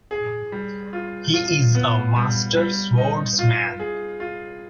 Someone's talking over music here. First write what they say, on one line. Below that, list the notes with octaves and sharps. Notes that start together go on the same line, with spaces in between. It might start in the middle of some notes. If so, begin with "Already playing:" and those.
He is a master swordsman.
G#4
G3
F4
F4
B3
G3
G3
D#4
F4
G#4
F4